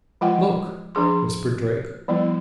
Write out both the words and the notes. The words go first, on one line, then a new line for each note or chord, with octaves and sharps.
"Look," whispered Drake.
F3 G#3 F4 D#5 F#5 G5
F3 D4 G#4 C6
F3 G3 B3 E4